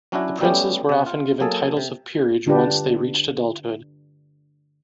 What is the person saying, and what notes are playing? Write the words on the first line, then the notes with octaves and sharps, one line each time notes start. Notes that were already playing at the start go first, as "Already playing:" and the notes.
The princes were often given titles of peerage once they reached adulthood.
F#3 C#4 D4 E4 F#4
F#3 G3 A3 B3 C#4 G4
C3 F#5
F4
F#3 A#3 G#4 A4
C3
D3 D4 F4 G4 B4